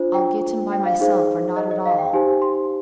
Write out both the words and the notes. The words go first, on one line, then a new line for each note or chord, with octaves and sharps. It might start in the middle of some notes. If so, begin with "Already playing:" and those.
I'll get him by myself or not at all.
Already playing: D4 F4 C5
G5
G5
F5
D#4 G#4 C5
D#5
D#5
F5
G5
D#4 G4 C5 G#5
C6